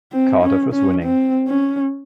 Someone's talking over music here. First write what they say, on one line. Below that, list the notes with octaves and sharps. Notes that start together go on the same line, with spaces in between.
Cardiff is winning.
C4
C#4
C#4
C4
C#4